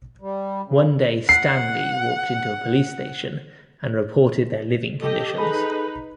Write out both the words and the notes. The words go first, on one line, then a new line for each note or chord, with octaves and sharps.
One day Stanley walked into a police station and reported their living conditions.
G3
C#3
F#5 C7
G4 A4 D#5
D#4 G#4 A4 B4 B5